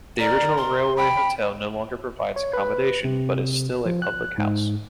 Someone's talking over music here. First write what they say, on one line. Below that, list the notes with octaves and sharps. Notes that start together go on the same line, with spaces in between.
The original Railway Hotel no longer provides accommodation but is still a public house.
A#4 D5
C6
G5 B5
C#5
B4
C3
F3
F#6
G#2